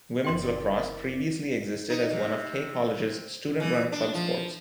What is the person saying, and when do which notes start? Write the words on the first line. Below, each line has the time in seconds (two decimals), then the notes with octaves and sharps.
Women's lacrosse previously existed as one of K College's student-run club sports.
0.24 F#1 A#4 D5 G5 C6
1.90 D#4
2.10 C3
3.60 E3
3.92 D4
4.14 F3